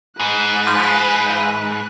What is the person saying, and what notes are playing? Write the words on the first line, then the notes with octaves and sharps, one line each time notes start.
I, um,
G#2 B4 F#6